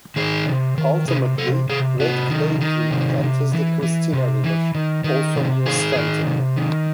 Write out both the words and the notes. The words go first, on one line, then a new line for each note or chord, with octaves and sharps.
Ultimately, Red Clay Creek enters the Christina River, also near Stanton.
D#3 G#4
C3
D#3
C3 G#4
C3 A4
C3 G#4
C3 F#4
D#3
D#3
C3
C3
E3
E3
C3
E3
D#3
D#3
C3
D#3 G#4
D#3
C3
D#3